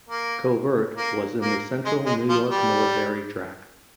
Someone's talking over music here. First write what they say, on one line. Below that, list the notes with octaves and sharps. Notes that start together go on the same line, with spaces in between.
Covert was in the Central New York Military Tract.
A#3
A#3
A#3
G#3
G#3
F3
G3